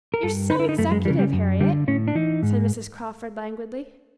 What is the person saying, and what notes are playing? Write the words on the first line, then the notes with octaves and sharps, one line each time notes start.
"You're so executive, Harriet!" said Mrs. Crawford, languidly.
A#4
G2 A4
D3 D#4
E4
D#4
F#2 A3
G#3
C#3 E3 G3
G3
F#2
D3 G3
A2 C#4
D4
E3 D#4
G#2